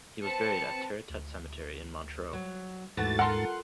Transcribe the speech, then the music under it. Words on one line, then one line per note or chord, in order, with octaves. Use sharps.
He was buried at Territet Cemetery in Montreux.
C4 B4 A5 C#7
D2
F#3
D#2 G#2 E3 A3 F#4 A6
F4 A4 A#4 F#5 C6